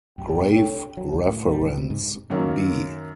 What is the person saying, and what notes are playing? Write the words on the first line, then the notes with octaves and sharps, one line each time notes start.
Grave Reference: B.
A#1 F#2 G4 G5
G2 B2 G#3
C2 D4 A4 C#5
F#3
C#2
A2
G3
C#2
C3
G#2
F#2 D#3 F#3 A#3 C#4